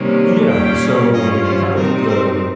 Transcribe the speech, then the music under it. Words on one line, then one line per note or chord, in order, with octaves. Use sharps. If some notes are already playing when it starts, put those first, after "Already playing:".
Yeah, so, kind of the
Already playing: C3 D#3 G3 A#3 C#4
A#2 G3 C#4 G5
G2 G3 C#4 F4 D#5
C5
C3 G3 C4 D#4 A#4
C5